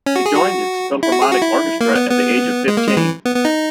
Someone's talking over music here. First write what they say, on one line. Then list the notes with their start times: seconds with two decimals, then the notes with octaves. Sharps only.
He joined its Philharmonic Orchestra at the age of fifteen.
0.06 C#4
0.16 F#4
0.26 G#4
0.35 F#4
1.03 E4
1.12 F#4
1.22 G#4
1.32 F#4
1.42 E4
1.81 A#3
1.96 B3
2.10 B3
2.68 G#3
2.77 A#3
2.87 G#3
2.97 E3
3.25 B3
3.36 B3
3.45 D#4